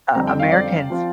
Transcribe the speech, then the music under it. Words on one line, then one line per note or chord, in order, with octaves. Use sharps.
uh, Americans
F2 D3 G3 C4 A#5
G5
F5
D5
F3 C4 F4